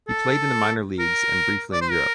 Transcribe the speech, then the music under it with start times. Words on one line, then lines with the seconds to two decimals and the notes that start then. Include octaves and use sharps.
He played in the minor leagues and briefly in Europe.
0.08 A4
0.99 A#4
1.72 D5
1.81 C5
1.91 A#4